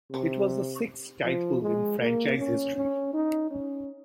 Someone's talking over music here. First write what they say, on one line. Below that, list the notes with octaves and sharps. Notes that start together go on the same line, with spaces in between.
It was the sixth title in franchise history.
C3
F3
G#3
A#3
C#4
C#4
D#4
C#4